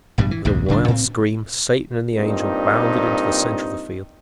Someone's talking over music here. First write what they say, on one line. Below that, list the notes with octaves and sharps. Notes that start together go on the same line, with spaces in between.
With a wild scream Satan and the Angel bounded into the center of the field.
A1 G2 B2 G3
E3
A#1 D#2 G#2 C3
D1 C#3 F#3 D4
A2 C4
G2 A#2 C4 D#4